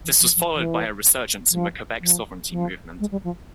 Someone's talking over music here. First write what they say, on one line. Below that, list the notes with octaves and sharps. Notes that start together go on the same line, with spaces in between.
This was followed by a resurgence in the Quebec sovereignty movement.
E3
F3
F3
E3
F3
F3
F3
G#3
G3
F3